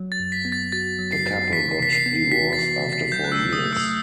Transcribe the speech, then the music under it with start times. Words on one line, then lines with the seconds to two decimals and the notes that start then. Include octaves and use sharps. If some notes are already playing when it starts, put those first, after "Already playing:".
The couple got divorced after four years.
Already playing: F#3
0.12 A6
0.19 F#2
0.32 B6
0.45 B3
0.52 A6
0.72 F#4 A6
0.99 F#3
1.12 C7
1.26 F#2
1.53 E3 B6
1.79 C3 B6
1.93 C7
2.06 B3
2.32 F#4 B6
2.53 A6
2.59 E3
2.85 C3
2.93 A6
3.12 F#3 G6
3.24 F#6
3.32 E6
3.39 C3
3.53 D#6
3.65 A3
3.73 E6